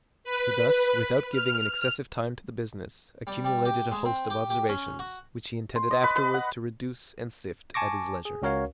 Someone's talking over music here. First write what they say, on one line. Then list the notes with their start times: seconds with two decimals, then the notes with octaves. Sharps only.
He thus, without giving an excessive time to the business, accumulated a host of observations, which he intended afterwards to reduce and sift at his leisure.
0.24 B4
1.32 F6
3.27 G3
3.45 G3
3.65 G4
3.92 G#3
4.05 C4
4.30 G4
4.50 G4
4.69 C#4
4.99 F#4
5.76 C6
5.91 D#5
6.04 B4
6.16 B4
6.34 F#5
7.74 G#5 A5 C#6 D6 A#6
8.25 G#4
8.42 C#2 C#4 F#4 A#4 C#5 F5